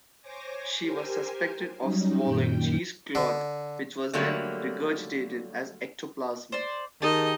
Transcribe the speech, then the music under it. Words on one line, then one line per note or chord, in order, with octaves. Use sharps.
She was suspected of swallowing cheesecloth which was then regurgitated as "ectoplasm".
C5 C#5 G#5 D6 A#6
G4 A#4 C5 G#5
F#3 G3 C#4 D#4
F#2 A#2 D#3 G5
D3
D3 F#3 G3 A3 A#3
C5 D5
D#3 D#4 G4 G#4 D#5 A5